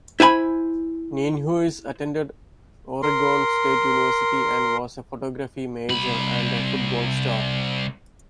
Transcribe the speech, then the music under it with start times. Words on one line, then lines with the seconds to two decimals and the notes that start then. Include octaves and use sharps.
Nienhuis attended Oregon State University and was a photography major and a football star.
0.20 E4 C5 G#5 B5
3.03 A#4 C6
5.89 C2 B5